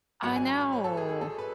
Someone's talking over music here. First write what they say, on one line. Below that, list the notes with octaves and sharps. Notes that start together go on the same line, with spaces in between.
I know.
G#1 G#2 F#3 F#5
G#5
B5
B5
C#5
A4
G#4
G#4
A4
B4